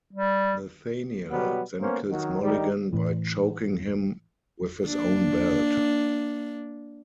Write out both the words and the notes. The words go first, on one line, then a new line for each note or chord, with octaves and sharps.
Nathaniel then kills Mulligan by choking him with his own belt.
G3
B2 F#3 G3 B3
A#3 B3 C#4 C5
D#3 F#3
D#3 G3 D#4 G4
A2 E3
A#3 D4